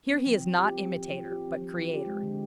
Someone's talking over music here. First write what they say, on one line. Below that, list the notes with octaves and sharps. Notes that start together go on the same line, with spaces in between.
Here he is not imitator, but creator.
C4
F3
F3
G4
C4
F3
F3
G4
C4
F3
F3
G4
G#3
D3